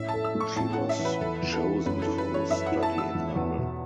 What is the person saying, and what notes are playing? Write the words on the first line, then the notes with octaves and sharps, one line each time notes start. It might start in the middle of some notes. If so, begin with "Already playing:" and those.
She was chosen to study in London.
Already playing: A2 C#4 E5
A5
A4
E6
A3
C#6
A2 A5
C#4 F#5
E5
E3
B4
E2 A4
E2
A4
E3
F#2 B4
A4
E4
B4
E3
C#5
F#2 E5
F#5
E4
A5
E3
E6
E2
E2
B2